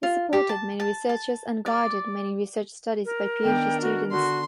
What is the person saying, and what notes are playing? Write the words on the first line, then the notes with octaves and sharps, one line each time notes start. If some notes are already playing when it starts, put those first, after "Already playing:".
He supported many researchers and guided many research studies by PhD students.
F4
G4
A5
A5
A5
D5
A#4
D#3 B3 D4 G5
F#4
D3 F#4 C6